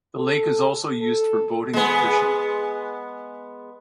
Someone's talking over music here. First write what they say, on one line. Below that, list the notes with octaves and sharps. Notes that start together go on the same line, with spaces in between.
The lake is also used for boating and fishing.
A4
A4
G#3 B3